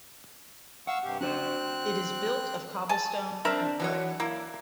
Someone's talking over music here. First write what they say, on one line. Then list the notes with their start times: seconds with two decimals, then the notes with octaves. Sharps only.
It is built of cobblestone and brick.
0.87 F5 F#5 C#6 E6
1.04 G2 C3 G4
1.21 C4 D4 F#4 C5 F#6
2.89 G#5 A5
3.45 C4 D4 A#4 E5
3.80 E3 F#3 C#5
4.20 A#3 E4